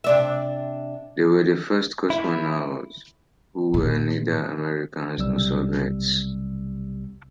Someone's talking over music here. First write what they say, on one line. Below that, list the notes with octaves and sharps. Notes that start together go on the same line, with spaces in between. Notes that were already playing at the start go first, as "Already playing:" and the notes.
They were the first cosmonauts who were neither Americans nor Soviets.
C3 D4 E5
E4
A#2
B1 C3 G3 E6